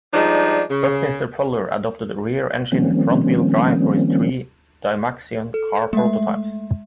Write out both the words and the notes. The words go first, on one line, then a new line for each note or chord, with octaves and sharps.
Buckminster Fuller adopted rear-engine, front wheel drive for his three Dymaxion Car prototypes.
F3 G3 G#3 D4 D#4
C#3
D#3 F3 G3 A#3 C4 C#4
A4
G#3 A3 E5